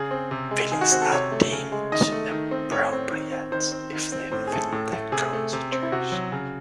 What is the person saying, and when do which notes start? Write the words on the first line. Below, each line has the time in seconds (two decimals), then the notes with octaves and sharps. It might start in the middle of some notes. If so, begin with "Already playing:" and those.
Feelings are deemed appropriate if they fit the current situation.
Already playing: C#3 G#4
0.11 C4
0.31 C3
0.51 G#3
0.72 D#3 G#4
0.81 F#4
0.91 C4 F#4
1.02 A4
1.12 C3 C#5
1.32 A3
1.52 C#3
1.72 G#3
1.92 D#3 D#5
2.12 A3
2.32 D#3
2.51 C4
2.72 A2 C#5
2.93 C4
3.12 D#3
3.32 C4
3.52 D#3 C5
3.72 C4
3.93 D#3
4.12 C4
4.32 A2 C5
4.47 G#4
4.53 A3 A4
4.72 A2
4.93 A3
5.12 C3 G#4
5.33 A3
5.53 C3
5.72 C4
5.83 E4
5.92 C3 F#4
6.12 F#3
6.32 C#3